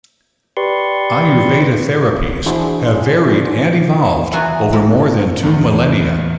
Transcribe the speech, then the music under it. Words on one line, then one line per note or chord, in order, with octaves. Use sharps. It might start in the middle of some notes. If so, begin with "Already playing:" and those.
Ayurveda therapies have varied and evolved over more than two millennia.
G4 B4 D5 C6 C#6
E3 D4 E4 F#4 G#4 C5
E3 F#3 B3 F4 F#4 G#5
G#2 G3
E2 A2